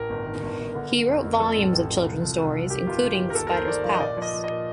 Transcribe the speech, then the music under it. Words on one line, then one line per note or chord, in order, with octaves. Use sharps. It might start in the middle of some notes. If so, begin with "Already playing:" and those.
He wrote volumes of children's stories, including "The Spider's Palace".
Already playing: A1 A#4
G1
D#3
G1
G1
D3
D3
F2
F2
F3 A4
A1
A1
F3
C2
F3
C2
C2
D#3 G4
G1 F4
G4
G1
G4
G1
A#4
D#2 A4
A#4
D#2 C5
D#2 D5
F3 F5
D#5
A#2 D5
F3 D5
D#5
F3
D#5
A#2